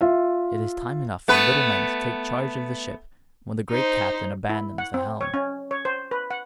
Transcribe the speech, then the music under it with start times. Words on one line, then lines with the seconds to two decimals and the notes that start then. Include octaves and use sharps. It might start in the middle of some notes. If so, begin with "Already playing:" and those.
It is time enough for little men to take charge of the Ship when the great Captain abandons the helm.
0.01 F4 E5
1.28 A3 B3 B4
3.70 D#4 C5
4.49 E4
4.78 F#5
4.94 C4
5.21 C#5
5.34 C#4
5.71 C#5
5.85 C5
6.11 B4
6.31 F#5